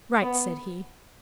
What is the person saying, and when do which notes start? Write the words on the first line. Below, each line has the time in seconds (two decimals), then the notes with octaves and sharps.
"Write!" said he.
0.22 B3